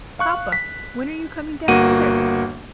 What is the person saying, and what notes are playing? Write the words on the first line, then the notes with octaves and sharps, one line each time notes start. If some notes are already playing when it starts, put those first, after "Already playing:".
Papa, when are you coming down stairs?
F5 C#6 F#6
B6
G1 A#3 F#4 F#5 D#7